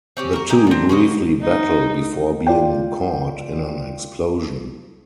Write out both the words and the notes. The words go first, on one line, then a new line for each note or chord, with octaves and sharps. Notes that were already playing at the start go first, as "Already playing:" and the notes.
The two briefly battle before being caught in an explosion.
C4 C#4 G4
F#4 A#4
D#4 G4 G#4 G#5
D3 C4
C#3 A#3 F#4 D#5
D#4
F4 D5 G5